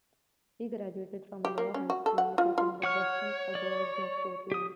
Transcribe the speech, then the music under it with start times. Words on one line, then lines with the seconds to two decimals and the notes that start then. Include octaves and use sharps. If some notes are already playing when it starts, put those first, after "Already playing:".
He graduated from Aloha High School, located in the western suburbs of Portland.
1.45 G4
1.58 A#3
1.74 C#4
1.90 F#4
2.06 A4
2.18 F#5
2.38 F4
2.58 F4
2.83 C#5 F#5 C#6 F6
3.55 D5
4.52 G4 D#6